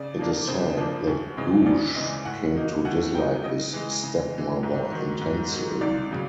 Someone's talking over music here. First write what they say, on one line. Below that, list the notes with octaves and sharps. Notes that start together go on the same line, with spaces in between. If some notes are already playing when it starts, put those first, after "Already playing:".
It is said that Googe 'came to dislike his stepmother intensely'.
Already playing: C#3 D5
F3 A#3 D4
C#3 C5
F3 A#3 D4
D2
C#3 E3 G#3
D2 D5
C#3 E3 G#3 D#5
A2 F#5
F#3 A#3 D#4
A2 F#5
F#3 A#3 D#4 G5
C#3 D#5
E3 G#3
C#3
E3 G#3
G#2
D#3 F#3
G#2
D#3 F#3
C#2 D5
C#3 F#3